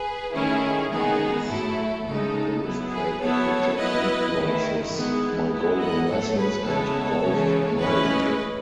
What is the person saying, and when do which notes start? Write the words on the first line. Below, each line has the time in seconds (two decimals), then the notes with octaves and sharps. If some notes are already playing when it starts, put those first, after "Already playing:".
He is the illustrator for Jack Nicklaus's "My Golden Lessons" and "Golf My Way".
Already playing: G#4 B4
0.33 D#3 A3 C#4 E4 G#4
0.91 D#3 G#3 B3 D#4 G#4
1.48 A2 F#3 A3 E4 A4
2.06 C#3 G#3 D#4 A4
2.63 F#3 B3 E4
2.92 G#4 B4
3.20 F#3 B3 E4 A4 C#5
3.78 F#3 B3 E4 B4 D#5
4.36 D#3 A3 E4
4.93 D#3 G#3 B3 E4
5.51 D#3 G#3 B3 E4
5.79 D#5 F#5
6.08 A2 F#3 A3 A4 C#5
6.37 G#4 B4
6.65 C#3 G#3 B3 E4 A4 C#5
7.23 C#3 E3 G#3
7.80 A2 E3 G#3 C#4 E4 B4 D#5